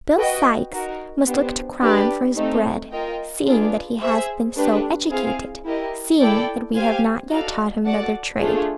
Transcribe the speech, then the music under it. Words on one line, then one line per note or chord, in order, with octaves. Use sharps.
Bill Sykes must look to crime for his bread, seeing that he has been so educated, seeing that we have not yet taught him another trade.
F#4 B4 D#5 G5
D#4 F#4 A#4
B3 D4 G4 C5
D4 G4 B4 D5
A3 C4 D#4
F4 A#4 D#5 G5
D4 F4 G#4 B4 D5
G#4 C5 E5
A3 D4 G4 B4
C4 E4 G#4 C5 F5
E4 G4 A#4 D#5
E4 A4 D5 G5
G4 C5 F5 G#5
D#4 F#4 A4 D5 F5
F#4 A4 D5 F#5 A5
A3 D4 F4 G#4